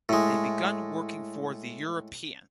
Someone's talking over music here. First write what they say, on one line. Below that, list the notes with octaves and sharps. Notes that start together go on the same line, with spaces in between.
They began working for "The European".
A2 G#3